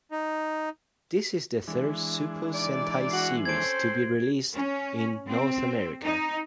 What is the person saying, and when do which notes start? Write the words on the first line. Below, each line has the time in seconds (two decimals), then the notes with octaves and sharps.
This is the third Super Sentai Series to be released in North America.
0.12 D#4
1.67 E3 G#3 D4
2.54 D#4 D5
3.11 F#4 C7 F#7
3.45 C4 C#4 A4 C5 G#6 D7
4.55 C#4
5.28 C4
6.05 D#4